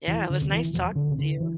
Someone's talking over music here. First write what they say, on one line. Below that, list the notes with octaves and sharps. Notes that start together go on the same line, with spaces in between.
Yeah, it was nice talking to you.
E1 E3
D3
D2 C3
E3
E1 F3
D3
D2 C3
D3
E3